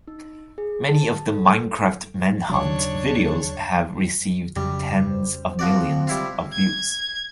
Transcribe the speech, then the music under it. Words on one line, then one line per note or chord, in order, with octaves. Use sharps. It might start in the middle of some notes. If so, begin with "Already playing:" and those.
Many of the "Minecraft Manhunt" videos have received tens of millions of views.
D#4
G#4
A5
A4
D#2 C#3 F#3 D4 C#5
F2 C#3 F#3 G3
C5
F3 C4 F#4 D5
G3 E4 F4
G#6